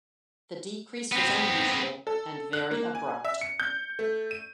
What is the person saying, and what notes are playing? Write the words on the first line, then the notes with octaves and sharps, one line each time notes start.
The decrease was unusual and very abrupt.
B3 C4
A4
F#6
A#3
G#5
E5
C#7
G6
A3
D#7